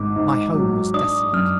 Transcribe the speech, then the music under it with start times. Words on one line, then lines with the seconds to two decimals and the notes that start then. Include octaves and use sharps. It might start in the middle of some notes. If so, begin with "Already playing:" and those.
My home was desolate.
Already playing: G#1 D6
0.16 G#2
0.55 F#3
0.94 D4 D#6
1.33 F#2 F6